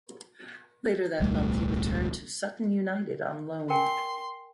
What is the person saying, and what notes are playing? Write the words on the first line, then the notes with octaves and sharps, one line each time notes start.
Later that month he returned to Sutton United on loan.
D1 B1 G3 A3
A#4 G5 G#5 C6